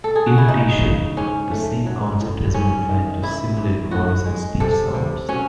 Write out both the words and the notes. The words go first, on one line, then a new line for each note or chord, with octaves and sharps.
In addition, the same concept has been applied to simulate voice and speech sounds.
A4
G#4
F#4
E4
C#3 D#4
C#3
G#2 C#4
A3
F#3
A2
G#2 C#4
D#3
G#2 E4
G#2
A2 F#4
G#3
C3 A4
C3
F#3 C#4